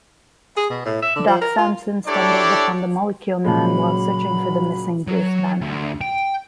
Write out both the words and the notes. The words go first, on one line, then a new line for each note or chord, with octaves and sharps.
Doc Samson stumbles upon the Molecule Man while searching for the missing Bruce Banner.
G#4
B2
A2
E5
D3
F3
A#4
F4
D4 E4 G4 A4 C#5 D5
A#2 C#3 F#3 G#3 B5
F#3
D2
G5